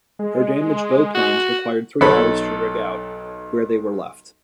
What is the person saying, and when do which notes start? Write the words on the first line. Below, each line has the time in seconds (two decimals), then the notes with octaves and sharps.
Her damaged bow planes required three hours to rig out, where they were left.
0.19 G#3
1.15 F#4
2.01 B1 D#4 A4 B4 C#5 B5